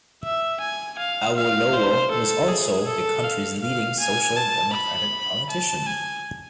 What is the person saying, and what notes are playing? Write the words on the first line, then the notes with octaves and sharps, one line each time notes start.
Awolowo was also the country's leading social democratic politician.
E5
G#5
F5
F5
C5
A4
G#4
A4
F5
F5
G#5
A5
B5
A5
G#5